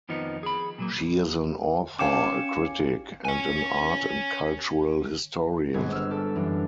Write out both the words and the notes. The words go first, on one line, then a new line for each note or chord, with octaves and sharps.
She is an author, a critic, and an art and cultural historian.
F2 D#3 F3 B3 D#4
G#4 B5
A#2 F#3 A#3
C#4 C#5 F5 G5 G#5 D6 C#7 E7
C#5 G#5
G1 G#3 B3 C4 G#6
E6 F6
G4 A4
F#2 E3 D4